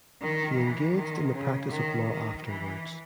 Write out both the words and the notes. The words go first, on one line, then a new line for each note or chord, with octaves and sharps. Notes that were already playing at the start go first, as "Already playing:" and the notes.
He engaged in the practice of law afterwards.
D#3
E3
D#3
C#3
D#3
D#3
E3